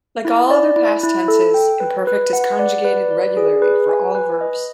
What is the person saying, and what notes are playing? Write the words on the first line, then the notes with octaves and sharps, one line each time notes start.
Like all other past tenses, imperfect is conjugated regularly for all verbs.
E4
D5
E4
E4
A4
G5
B4
B4
F#5
D5
B4
D5
G#4
B4
G#5
B4
D#5